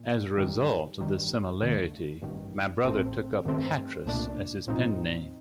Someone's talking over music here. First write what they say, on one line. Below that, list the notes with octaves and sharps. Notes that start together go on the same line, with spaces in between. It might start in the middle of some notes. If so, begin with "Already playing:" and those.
As a result of this similarity, my brother took up 'Patras' as his pen-name.
Already playing: A#2
G2 D#3 G3
G1 G2 D#3 G3
D#2 D3 A3
A1 G2 D#3
A1 A2 A3 C4
G2 D#3 A3 C4
C2 A#2 A3 D4
A#1 A2 F3 C4 D#4